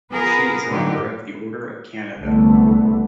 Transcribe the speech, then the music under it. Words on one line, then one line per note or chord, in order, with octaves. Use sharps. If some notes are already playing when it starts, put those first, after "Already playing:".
She is a Member of the Order of Canada.
B3 F4 G#4 A#4 B4
G#2 D3 F#3 G4
C2 D3 A3 B3